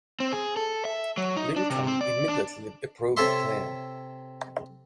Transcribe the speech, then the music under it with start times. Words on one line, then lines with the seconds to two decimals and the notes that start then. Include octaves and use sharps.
Lincoln immediately approved the plan.
0.20 C4
0.33 G#4
0.56 A4
0.85 E5
1.17 F#3
1.37 D#4
1.56 D4
1.70 C3
1.87 C4
2.01 D5
2.29 D4
3.17 C3 A4 C#5 E5 C6